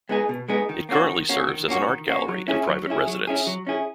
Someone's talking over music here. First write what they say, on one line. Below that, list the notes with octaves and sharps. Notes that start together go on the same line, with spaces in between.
It currently serves as an art gallery and private residence.
G#3 B3 D#4 G#4
B2
G#3 B3 D#4 G#4
D#3
A#3 C#4 F#4
D#3
A#3 C#4 F#4
D#3
A#3 C#4 F#4
D#3
A#3 C#4 F#4
F#3
C#4 E4 G#4
F#3
C#4 E4 G#4
F#3
C#4 E4 G#4
F#3
C#4 E4 G#4